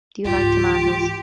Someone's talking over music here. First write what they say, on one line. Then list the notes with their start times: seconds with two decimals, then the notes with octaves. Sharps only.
Do you like tomatoes?
0.25 C#2 G#2 E3 F4 G4